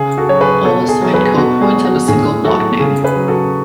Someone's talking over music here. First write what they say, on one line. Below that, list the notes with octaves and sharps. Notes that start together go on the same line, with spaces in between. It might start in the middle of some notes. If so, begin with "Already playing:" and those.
All assigned code points have a single block name.
Already playing: C#3 G#4
F#4 A4
F#3 C#5
G#4 B4
B2 A4 C#5
G#4
F#3
G#4 B4
G#4
B2 F#4 A4
G#4
F#3
F#4
A2 G#4
F#3 F#4 A4
C#3 G#4
G#4 B4
F#3
F#4 A4